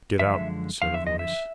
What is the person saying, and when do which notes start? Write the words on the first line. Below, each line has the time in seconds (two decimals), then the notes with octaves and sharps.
"Get out," said a voice.
0.19 F#2 D3 F3 G#3 E5
0.82 F#2 D3 F3 F5
0.94 E5
1.07 D#5
1.19 E5